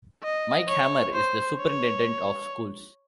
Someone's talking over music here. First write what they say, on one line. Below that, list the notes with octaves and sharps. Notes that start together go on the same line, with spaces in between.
Mike Hammer is the Superintendent of Schools.
D#5
C#5
C5
C#5